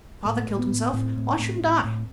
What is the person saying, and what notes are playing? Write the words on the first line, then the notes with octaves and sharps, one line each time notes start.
Father killed himself--why shouldn't I?
A2 A3
A2
B3
A2
A2 C4
A2
A2
A2
A2